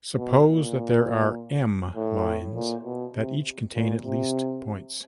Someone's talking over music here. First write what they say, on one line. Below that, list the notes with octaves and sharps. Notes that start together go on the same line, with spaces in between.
Suppose that there are "m" lines that each contain at least points.
B2
A#2
A2
A#2
B2
C3
A#2
C3